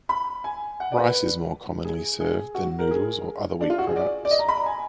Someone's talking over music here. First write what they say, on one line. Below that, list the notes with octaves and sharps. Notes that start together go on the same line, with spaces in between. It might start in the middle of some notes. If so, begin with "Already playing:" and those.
Rice is more commonly served than noodles or other wheat products.
B5
G#5
F#5
D5
B4
G#4
G#4
F#4
A#4
G#4
D4
F4
F#4
G#4
D5
D5
D#5
A#5
B5
A#5
G#5